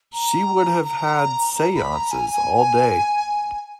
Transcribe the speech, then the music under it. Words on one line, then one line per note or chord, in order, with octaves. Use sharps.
She would have had seances all day.
A#5
A#5
A#5
B5
A#5
G#5
G#5